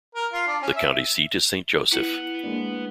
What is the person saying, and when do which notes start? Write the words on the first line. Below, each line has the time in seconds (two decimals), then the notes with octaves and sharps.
The county seat is Saint Joseph.
0.15 A#4
0.33 F4
0.47 D4
0.62 C#4
0.76 E5
1.92 E4 B4 F#5
2.44 G#3 A#3 D4